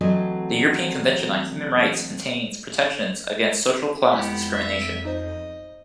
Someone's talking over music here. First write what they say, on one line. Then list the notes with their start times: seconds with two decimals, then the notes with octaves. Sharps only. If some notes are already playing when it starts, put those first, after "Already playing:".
The European Convention on Human Rights contains protections against social class discrimination.
0.01 E3 F#3 A3 C4 D#5 G#5
4.13 F2 G#3 B3 E4 G4 B6
4.50 E5
5.05 D#4 C5 D#5